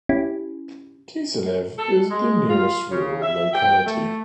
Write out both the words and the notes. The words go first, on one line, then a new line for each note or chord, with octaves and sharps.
Kiselev is the nearest rural locality.
C#4 E4 G4
A4
G#3
F4
C#3
E5
G5
A3